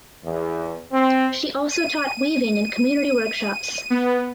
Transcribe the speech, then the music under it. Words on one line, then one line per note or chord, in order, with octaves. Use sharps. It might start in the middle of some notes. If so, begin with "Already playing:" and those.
She also taught weaving in community workshops.
E2
C4
D#7
B3